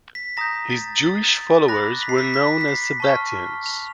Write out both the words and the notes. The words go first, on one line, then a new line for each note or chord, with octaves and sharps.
His Jewish followers were known as Sabbateans.
B6
A#5 D#6 G6 A#6
A6
A6
B5 D6 F#6 A#6
B6
C7
B6
B6
B6
C7
A5 C#6 F6
F7